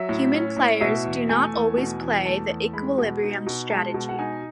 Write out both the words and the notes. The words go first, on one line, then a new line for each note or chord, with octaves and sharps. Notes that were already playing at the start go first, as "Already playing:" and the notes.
Human players do not always play the equilibrium strategy.
Already playing: F#3 E5
A2
C#4
A2
B2 E5
E2
A3 G#5
E2
B2
E2
A3 A5
E2
G#3 B5
B2
D#4
B2
G#3 A5
B2
F#5
D#4 G#5